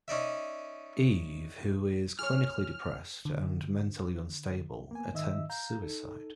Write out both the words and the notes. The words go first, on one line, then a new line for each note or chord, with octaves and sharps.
Eve, who is clinically depressed and mentally unstable, attempts suicide.
C#4 D#4 D5 E5
G#4 C#5 F6
D3
A#3 B3 G#5
G#2 D#3 D#5 E5 E6
F5 A#5 G6
D#4 A4